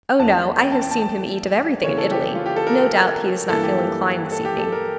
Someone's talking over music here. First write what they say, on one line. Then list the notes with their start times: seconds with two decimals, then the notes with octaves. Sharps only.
"Oh, no; I have seen him eat of everything in Italy; no doubt he does not feel inclined this evening."
0.19 E2 E3 A#3 A5
0.61 G5
0.72 A5
0.82 G5
0.91 A5
1.02 A5
1.84 C#3 E3 A#3 C#5
1.98 A4
2.11 G4
2.25 G4
2.35 F4
2.46 G4
2.56 A4
2.67 A#4
3.49 G2 E3 A#3 E4 A4
3.63 G4
3.77 G4
4.32 A4
4.45 G4
4.59 A4
4.72 A#4